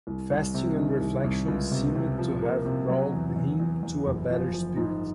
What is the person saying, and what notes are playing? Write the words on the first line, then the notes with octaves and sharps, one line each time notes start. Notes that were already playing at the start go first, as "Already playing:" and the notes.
Fasting and reflection seemed to have brought him to a better spirit.
C2
C2
C3
D#3
C2
C2
C#2
C3
C3
F3
A#3
C3
F#3
E2
E2
E2
E2
F#1
F3
F3
G#2